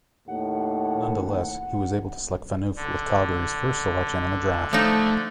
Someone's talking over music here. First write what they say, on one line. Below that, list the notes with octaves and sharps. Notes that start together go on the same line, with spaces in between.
Nonetheless, he was able to select Phaneuf with Calgary's first selection in the draft.
D#2 A2 F#5
D3
F3 A3 D#4